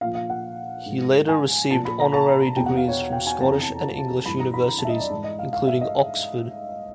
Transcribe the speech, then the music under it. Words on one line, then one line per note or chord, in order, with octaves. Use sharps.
He later received honorary degrees from Scottish and English universities, including Oxford.
A#2 F3 F5
F5
F#5
G#2 F3
G#5
A#2 F3 A5
B5
A#5
A5
A5
A#5
E2 B2 G5
F#5
F5
C#5
G5
G#5
F2 C3 E3 A5
A#5
A5
G2 E3 B5
A#5
B5
B5
A5
E5
D#5
D5
G#2 E3
D#5
F5
F5
E5
D#5